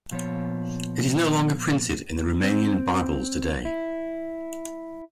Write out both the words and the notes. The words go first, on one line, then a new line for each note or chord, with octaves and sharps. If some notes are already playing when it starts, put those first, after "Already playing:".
It is no longer printed in the Romanian Bibles today.
A#2 F3 B3 C#5
C4
E4